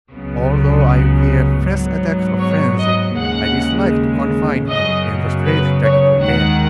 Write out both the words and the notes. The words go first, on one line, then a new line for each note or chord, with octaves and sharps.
"Although I fear fresh attacks of frenzy, I dislike to confine him in the strait-jacket again."
C#2 C#3 F#3 B3
G#2 F#3 B3
C#5
D#5
D#2 C#3 G#3 F#5
F#2 C#3 F#3 B3 D#5
B4
C#5
D#2 D#3 G#3 F#5